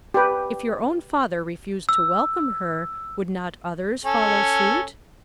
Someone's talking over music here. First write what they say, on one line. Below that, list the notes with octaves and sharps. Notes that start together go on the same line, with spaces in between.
"If your own father refused to welcome her, would not others follow suit?"
G4 B4
E6
C#4 A4